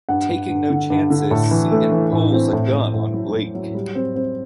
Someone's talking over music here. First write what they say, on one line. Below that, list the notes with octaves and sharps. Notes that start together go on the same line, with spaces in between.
Taking no chances, Seton pulls a gun on Blake.
G2 F#5
G2
G2
D3
G2
D3
A2 A4
E3
A3
E3
A2
C4
A2
A2
A2
F#3 E4
A2
F#3
G3
C4
C4